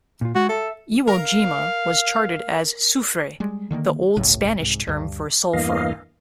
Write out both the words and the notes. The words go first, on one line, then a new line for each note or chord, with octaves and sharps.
Iwo Jima was charted as Sufre, the old Spanish term for sulphur.
A#2 F4
G#3 F#4
A4 E5
A#4 F5
G3 G#3
D3 D#3 G3 A#3
G1 C#2 A2
C2 G#2
D2 G2
E2 G2 E3 A#3 D#5 F5